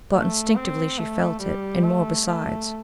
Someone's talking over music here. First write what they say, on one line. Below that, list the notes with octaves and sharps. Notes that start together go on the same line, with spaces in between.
But instinctively she felt it; and more besides.
A3
C4
A3
G3
A3
A3